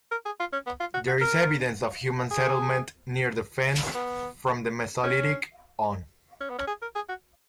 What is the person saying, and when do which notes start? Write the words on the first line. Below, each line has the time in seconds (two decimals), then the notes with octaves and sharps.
There is evidence of human settlement near the Fens from the Mesolithic on.
0.11 A#4
0.26 G#4
0.40 F4
0.53 C#4
0.66 B3
0.80 F4
0.94 F#4
1.08 F#4
1.21 A#4
2.31 G#4
3.95 B3
5.04 C#4
6.41 C#4
6.50 B3
6.59 C#4
6.68 G#4
6.82 A#4
6.95 G#4
7.09 F#4